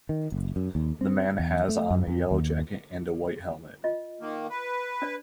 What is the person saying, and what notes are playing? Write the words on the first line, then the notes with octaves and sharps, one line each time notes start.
The man has on a yellow jacket and a white helmet.
D#3
F#1
F#2
D#2
C4
E2
A3
F#2
F2
D#2
F4 D#5
D#3 A#3
B4
D4 D5